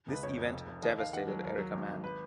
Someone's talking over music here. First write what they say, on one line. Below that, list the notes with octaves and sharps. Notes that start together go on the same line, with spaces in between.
This event devastated Erika Mann.
C#2 B4
F2 C#5
F2
F1
F1
D#2 D#5
D#2 F5
D#3 F#5
F#3
D#2 A#4
F#3
G#1
G#1
B4